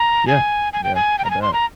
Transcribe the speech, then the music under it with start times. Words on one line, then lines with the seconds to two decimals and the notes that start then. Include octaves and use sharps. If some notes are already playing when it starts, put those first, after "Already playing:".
Yeah. Yeah. I bet.
Already playing: A#5
0.27 G#5
0.73 G#5
0.84 G5
0.95 G#5
1.19 G5
1.25 A#5
1.31 G#5
1.42 C6
1.53 A#5